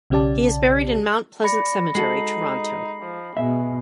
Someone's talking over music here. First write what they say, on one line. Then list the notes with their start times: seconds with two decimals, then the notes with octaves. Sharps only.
He is buried in Mount Pleasant Cemetery, Toronto.
0.10 B1 C#3 C#4 G4 D5 A5
1.44 D5 B5 A#6 C#7
1.95 G#3 D#4 F#4 A4 C7 F#7
3.02 F3
3.37 B2 G#3 E5